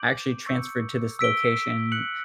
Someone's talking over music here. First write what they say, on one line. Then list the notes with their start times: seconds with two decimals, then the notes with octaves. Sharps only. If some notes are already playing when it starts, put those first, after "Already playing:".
I actually transferred to this location.
Already playing: D6 G6 D7 F#7
0.46 C#6 E6 G6 C#7
1.19 E6 B6 D7 G7
1.92 F#6 C#7 F#7